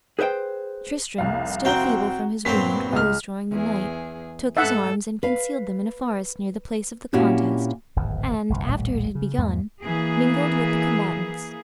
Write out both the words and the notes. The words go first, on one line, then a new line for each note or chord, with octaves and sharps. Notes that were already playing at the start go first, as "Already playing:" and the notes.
Tristram, still feeble from his wound, rose during the night, took his arms, and concealed them in a forest near the place of the contest, and, after it had begun, mingled with the combatants.
G#4 B4 C5 E5 G5
F1 C2 F5
C4 F#4 G5 A#5 G7
G2 A#2 F#3 B3 C4 B6
C#2 F6
E2 G#4
G#2 A4 E5 F#5
B4 F5
A#2 C4 C#4 E4 F#4 G4
D1 G#1 E2
G1 C2 F2
D#1 A#1 A2 G3
C#3
E2 G#2 G#3 A#3
E3 A#3 G#4